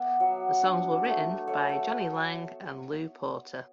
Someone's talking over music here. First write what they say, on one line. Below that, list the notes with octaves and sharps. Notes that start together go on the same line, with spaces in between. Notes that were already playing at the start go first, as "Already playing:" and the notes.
The songs were written by Johnny Lange and Lew Porter.
Already playing: B3 D5 E5
F#3
D4
A3
A3 C#5
A4